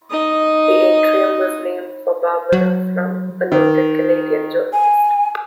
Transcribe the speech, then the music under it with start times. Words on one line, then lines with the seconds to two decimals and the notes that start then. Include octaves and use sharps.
The atrium was named for Barbara Frum, a noted Canadian journalist.
0.10 D#4 D#5
2.52 F#3
3.52 D#3
4.73 G#5